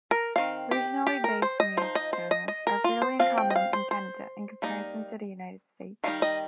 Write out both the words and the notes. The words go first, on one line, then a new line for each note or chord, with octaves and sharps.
Regionally-based news channels are fairly uncommon in Canada in comparison to the United States.
A#4
D#3 C4 F5
G4
G4
A#4
C5
D#5
F3 D#4 C5
D#5
C5
D#5
D#5
A#4
F4
C5
F3 C4 F5
G5
D#5
F5
C5
C5
G3 A#3 D#4
D#3 G3 D#4 F5
D#5